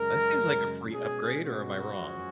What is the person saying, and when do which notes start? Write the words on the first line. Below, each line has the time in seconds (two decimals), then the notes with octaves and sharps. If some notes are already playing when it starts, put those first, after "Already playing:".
That seems like a free upgrade, or am I wrong?
Already playing: F#2 C#3 G#3 A#4
0.92 B2 G#3 C#4 G#4
1.44 F#4
1.95 F#2 F3 G#3 C#4